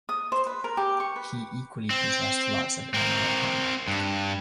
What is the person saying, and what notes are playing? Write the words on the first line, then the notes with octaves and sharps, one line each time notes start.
He equally possessed lots of ammo at home.
D#6
C5
B4
A#4
G4
C#6
B4
C4
C4 A#4
G2